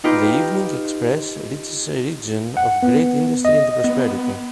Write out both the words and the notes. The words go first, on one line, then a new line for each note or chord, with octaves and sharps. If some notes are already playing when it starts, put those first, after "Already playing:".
The Evening Express reaches a region of great industry and prosperity.
D#4 F4 G4 B4
F#5
B3
D#5
B3